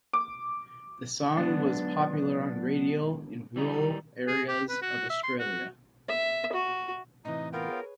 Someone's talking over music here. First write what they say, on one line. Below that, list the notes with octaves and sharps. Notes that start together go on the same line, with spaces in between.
The song was popular on radio in rural areas of Australia.
D6
G#2 B2 D3 F#3 B3 D4
D3 E3 G3 D#4
G#4
G4
B4
F#4
E5
C6
F#4
E5
F#4
A2 C3 E3 D#4 D#5
B3 F4 A#4 G5
G#4 B4 C#5